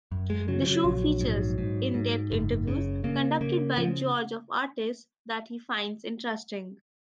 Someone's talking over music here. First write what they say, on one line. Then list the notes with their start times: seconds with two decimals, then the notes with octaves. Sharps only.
The show features in-depth interviews conducted by George of artists that he finds interesting.
0.12 F#2
0.30 G#3
0.48 C#3 F#3
0.62 F3
0.66 F#3
0.84 A#1
1.21 G#2
1.58 G#2
1.94 G#2
2.31 F#1
2.68 C#3
3.04 C#3 A#3
3.41 C#3 A#3
3.77 C#3 F3